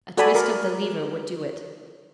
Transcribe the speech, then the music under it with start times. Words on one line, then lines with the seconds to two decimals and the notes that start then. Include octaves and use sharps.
A twist of the lever would do it.
0.17 F#4 A4 D5 G#5 B5
0.35 A#4